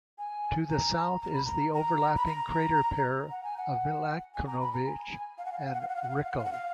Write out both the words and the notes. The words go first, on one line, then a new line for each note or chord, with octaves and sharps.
To the south is the overlapping crater pair of Milankovic and Ricco.
G#5
A#5
A#5
B5
A#5
A#5
B5
A#5
F#5
G#5
F#5
G#5
A#5
B5
A#5
G#5
F5
F#5
F5
F#5
F5
F#5
F5
F#5
F5
F#5
F5
F#5
F5
F#5
F5
F#5
F5